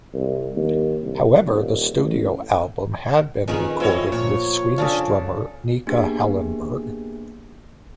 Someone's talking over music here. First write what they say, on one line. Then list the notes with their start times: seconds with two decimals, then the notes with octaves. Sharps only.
However, the studio album had been recorded with Swedish drummer Nicka Hellenberg.
0.14 C2
0.56 D#2
1.03 C2
1.47 D#1
1.93 A1
3.48 F2 D#3 B3 C#4 G#4
3.80 F3 C4 E4 C#5 D#5
4.12 A#2 C#5
4.78 C#3 D4 A4 F5
5.87 A#3 B3 D4 G4 G#4